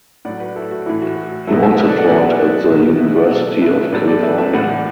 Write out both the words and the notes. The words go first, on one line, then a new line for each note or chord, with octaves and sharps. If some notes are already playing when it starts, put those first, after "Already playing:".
He also taught at the University of California.
A2 F#3 D5 F#5
F#4 B4
E4 A4
F#4
A2 E3 E4
F#4
F#4
B2 F#3 E4 A4
E5 A5
B4 E5
A4 D5
D5 F#5
B2 F#3 D5 F#5
B4 E5
B2 F#3
B4 E5
D5 F#5
B2 F#3 A4 D5
B4 E5
A2 F#3 A4 D5
A4 D5
B4 E5
E5 A5
A2 E3 D5 F#5